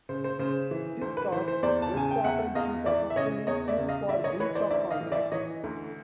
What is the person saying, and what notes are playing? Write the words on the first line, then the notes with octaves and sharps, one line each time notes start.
This caused Verstappen to successfully sue for breach of contract.
C#3 C5
C5
C#3 C5
E3
D2 C5
B4
E3 C5
C5
E2 C5 D5
A5
C#3 G#5
G5
E2 E5 F#5
E2 D#5 F5
E3 D5 E5
E5
C#3 C#5 D#5
E2 C#5 D#5
D5 E5
C#3
D#5 F5
D2 D5 E5
C#5 D#5
E3 B4 C#5
C5 D5
D2 D5 E5
D#5 F5
E3
D5 E5
E3 C#5 D#5
D2